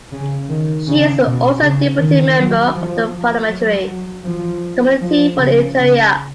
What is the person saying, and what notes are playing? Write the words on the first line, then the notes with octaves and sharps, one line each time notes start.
She is also a deputy member of the parliamentary Committee for the Interior.
C#3
D#3
C#3
B2
C#3
D#3
F#3
F3
F#3
F#3
F3
F3
C#3
C#3